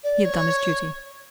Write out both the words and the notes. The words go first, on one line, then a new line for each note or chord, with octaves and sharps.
He had done his duty.
D5
C#5